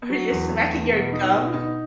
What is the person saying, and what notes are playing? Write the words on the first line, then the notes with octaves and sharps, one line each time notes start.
or you're smacking your gum,
F#3
E2
A3
E2
B2
D#4
B2
D#4